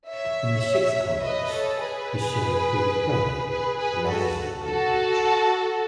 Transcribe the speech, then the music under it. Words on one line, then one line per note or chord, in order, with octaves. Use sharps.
In the Sixth Congress, he served with his brother Elizur Goodrich.
C#5 E5
B4 D#5
A4 C#5
G#4 B4
G#4 B4
G#4 B4
F#4 A4
F#4 A4